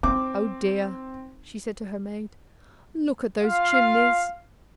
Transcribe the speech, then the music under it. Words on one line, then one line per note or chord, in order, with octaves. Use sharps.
'Oh dear!' she said to her maid; 'look at those chimneys!
C4 D#4 D6
F4 F5